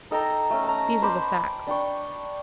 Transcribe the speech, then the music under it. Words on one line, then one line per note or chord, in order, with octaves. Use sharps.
These are the facts.
D#4 A4 G5 A#5
A3 C#4
A5 A#5
C5 B5 D6
D4 G5 C#6